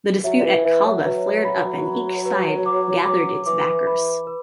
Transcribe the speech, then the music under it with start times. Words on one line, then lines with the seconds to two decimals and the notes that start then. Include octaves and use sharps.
The dispute at Kalba flared up and each side gathered its backers.
0.24 F#3 E5
0.38 D3
0.44 E3
0.64 E3 E5
0.84 F#3
1.04 F#3 B4
1.45 B5
1.85 B5
2.26 B4
2.66 D6
3.06 D6
3.46 E3 D6
3.87 B5
4.27 B4